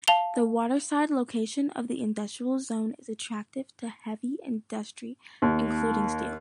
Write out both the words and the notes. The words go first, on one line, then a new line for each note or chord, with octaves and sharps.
The waterside location of the industrial zone is attractive to heavy industry including steel.
F5 A5 F7 G7
D#2